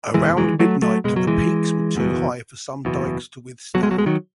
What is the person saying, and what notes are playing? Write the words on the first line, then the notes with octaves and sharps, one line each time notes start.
Around midnight, the peaks were too high for some dykes to withstand.
F#1 E2 B2 E3 G#3
E3 G#3
F#3 A3
F#3 A3
F#1 E2 B2 G#3
F#3
E3 G#3
F#1 E2 B2
F#1 E2 B2
B1 B2 F#3
G#3
F#3
G#3
D#3 F#3